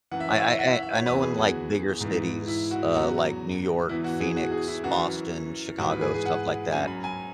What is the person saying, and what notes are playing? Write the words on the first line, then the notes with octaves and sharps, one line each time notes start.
I I I I know in, like, bigger cities, uh, like New York, Phoenix, Boston, Chicago, stuff like that,
F#2 E3 F#5
E5
C#5
E5
F#5
E5
E5
C#5
E2 E3 B4
G#4
F#4
G#2 E3
E4
F#4
E2 C#3 F#3 F#4
E2 E3 E4
F#4
G#4
F#4
G#4
E4
F#2 E3 F#4
G#2 E3 F#4
B4
G#4
G#4
F#5
F#2 F#3 G#5
B5
G#5